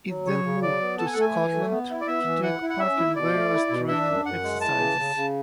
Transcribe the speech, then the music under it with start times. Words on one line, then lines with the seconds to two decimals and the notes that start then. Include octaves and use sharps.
It then moved to Scotland to take part in various training exercises.
0.09 F#3
0.26 C#3 C#5
0.44 C#3
0.62 F#3 D5
0.81 B3
0.98 A4 A5
1.06 G#5
1.13 F#5
1.17 A3 G#5
1.36 E3
1.52 A3
1.71 B3
1.90 E4
2.01 D5
2.08 B3 E5
2.25 E3
2.43 E4 F#5
2.62 E4
2.70 F#5
2.79 C#4 E5
2.98 E4
3.16 B2 D5
3.34 A3
3.53 E4
3.71 B2
3.88 D4 E5
4.07 F#2
4.25 F#2 F#5
4.43 G#3
4.61 E3 A5
4.79 C#3
4.98 C#3
5.16 C#3